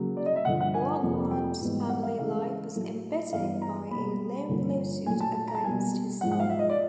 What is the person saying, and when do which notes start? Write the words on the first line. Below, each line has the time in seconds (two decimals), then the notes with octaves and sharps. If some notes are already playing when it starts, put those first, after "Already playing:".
Lagrange's family life was embittered by a long lawsuit against his son.
Already playing: C#3 F#3 A#3
0.17 D5
0.26 D#5
0.36 E5
0.45 G2 D3 F3 F#5
0.60 F#5
0.74 G#5
1.03 F2 C3 F3 A#3
1.31 G5
1.61 G#2 E3 G3 B3
1.89 F#5
2.03 F5
2.19 C#3 E3 G#3 F5
2.76 A2 F#3 A3
3.33 G2 E3 G3 B3 F5
3.62 A#5
3.91 B2 G3 A#3 B5
4.49 G2 D3 F3 A#3
5.06 A#2 F#3 A3 G#5
5.20 A5
5.35 A5
5.48 A#5
5.55 A5
5.63 B2 G3 A#3 G#5
6.21 G#2 F3 G#3 F#5
6.31 F#5
6.40 F5
6.49 E5
6.59 D#5
6.70 D5